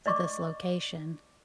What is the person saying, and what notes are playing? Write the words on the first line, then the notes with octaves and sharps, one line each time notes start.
to this location,"
D5 D#5 C#6 D6